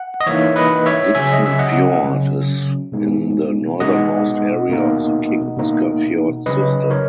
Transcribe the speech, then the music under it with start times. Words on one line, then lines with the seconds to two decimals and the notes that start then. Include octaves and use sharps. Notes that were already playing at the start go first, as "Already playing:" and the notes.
Dickson Fjord is in the northernmost area of the King Oscar Fjord system.
Already playing: F#5
0.21 D#5
0.27 E3 A#3 D#4 C#5 E5
0.56 B4 D#5
0.86 C#5 E5
1.15 C#3 F#3 C#4 E5 G#5
1.32 D#5
1.45 E5
1.59 D#5 F#5
2.04 C#3 F#3 C#4
2.92 B2 G#3 B3 D#4
3.80 B2 G#3 B3 D#4 D#5 F#5
4.69 B2 A#3 D#4
5.57 B2 A#3 D#4
6.46 C#3 F#3 C#4 B4 D#5
6.90 A#4 C#5